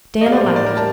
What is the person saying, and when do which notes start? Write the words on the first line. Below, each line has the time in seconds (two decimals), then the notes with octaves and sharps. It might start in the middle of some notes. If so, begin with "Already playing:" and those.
Diana laughed.
0.21 D#5
0.26 G3 F5
0.32 D5
0.37 C5
0.42 A2 A#4
0.56 A2 D5
0.66 A#4
0.72 G3
0.77 A5